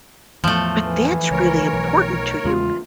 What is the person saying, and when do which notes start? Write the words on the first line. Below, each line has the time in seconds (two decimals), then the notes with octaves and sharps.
but that's really important to you.
0.44 E2 A2 F3 A3
0.81 E3
1.31 C#2 A#4 C#5
1.73 B1
2.45 E2 C#3 G#3 F4